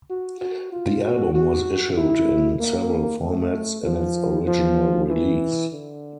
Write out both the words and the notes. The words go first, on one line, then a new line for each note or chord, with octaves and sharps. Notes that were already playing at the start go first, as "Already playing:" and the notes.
The album was issued in several formats in its original release.
F#4
F#4
F4
F#4
F#4
E4
A#3
A3
F3
F3
E3
D3